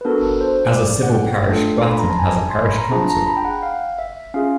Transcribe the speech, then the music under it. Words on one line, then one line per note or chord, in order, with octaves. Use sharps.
As a civil parish, Glatton has a parish council.
B4
B3 D4 F#4 A4 A#4
C5
D5
F#5
G5
A3 D4 F4 A4
C6
B5
A#5
A5
G#5
C6
B5
A#5
D4 F4 G#4 A5
A5
A#5
B5
G5
F#5
F5
E5
C#4 F4 G#4 F5